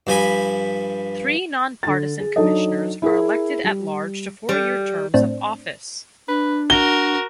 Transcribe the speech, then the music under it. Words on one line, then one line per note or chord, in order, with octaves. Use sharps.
Three non-partisan commissioners are elected at-large to four-year terms of office.
G2 F3 G#5 B5
D3 A6
G#4
F#3 D4 D#4 A4 D#5
E4 G#4 A#4
G3
G3
A2 C4 D4
D4 B4
F#4 A#4 G7